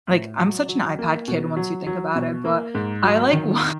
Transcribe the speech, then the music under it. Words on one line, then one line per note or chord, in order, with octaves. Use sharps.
like, I'm such an iPad kid once you think about it, but I like wa
A2
F#3
F#3
A#3
B2
F#3
F#3
B2
A#3
G#2
F#3
D#3